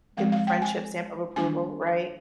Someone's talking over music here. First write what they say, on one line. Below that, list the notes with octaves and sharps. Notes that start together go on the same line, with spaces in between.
Get the friendship stamp of approval. Right?
F3 G#3 C4 F5
F5
G5
G#5
D#3 G3 A#3 D4 G#5